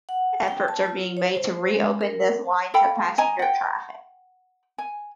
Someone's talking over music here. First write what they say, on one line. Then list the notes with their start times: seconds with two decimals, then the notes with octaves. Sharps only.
Efforts are being made to reopen this line to passenger traffic.
0.09 F#5
0.48 G5
0.68 A5
0.86 F4
1.17 C#5
1.36 C5
1.74 G#3
2.01 A#4
2.74 A4 F5 G5 B5
3.18 D#5 G#5 A#5
3.39 F#5 G5
4.78 G#5